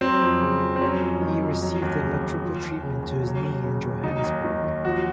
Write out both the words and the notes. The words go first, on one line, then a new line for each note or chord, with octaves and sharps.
He received electrical treatment to his knee in Johannesburg.
F#3 C4
F2
C#3
F2
C4
F#3 C#4
F2
D#3
F2
F#3
D#2
C#3
D#2
F3
D#2
C#3
D#2
F#3
D#2
C#3
D#2
F#3 D#4
D#2
D#3
D#2
F3 F#4